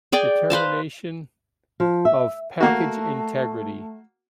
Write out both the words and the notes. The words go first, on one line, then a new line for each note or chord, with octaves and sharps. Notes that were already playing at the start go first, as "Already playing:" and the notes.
Determination of package integrity.
G#4 D5 G5
B4 C5 F5 A5
F3
E5
A3 A#3 F#4